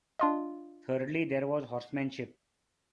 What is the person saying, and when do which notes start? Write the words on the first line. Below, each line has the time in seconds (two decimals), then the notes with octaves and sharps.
Thirdly there was horsemanship.
0.19 D4 F4 D#5